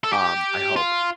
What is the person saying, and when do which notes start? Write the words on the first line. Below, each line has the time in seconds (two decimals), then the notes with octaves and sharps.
um, I hope,
0.04 A4
0.13 G4
0.76 F4